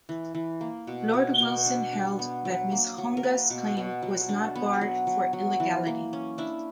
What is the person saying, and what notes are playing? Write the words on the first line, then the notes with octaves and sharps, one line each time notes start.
Lord Wilson held that Ms Hounga’s claim was not barred for illegality.
E3
E3
A#3
B2
B2
B2
D4
D4
B3
F#3
A#3
F#3
A#4
A#3 B4
B2
B2
F#3
D4
B3
F#3
F#3
F#3
E3
A#3
C#4
D4 E4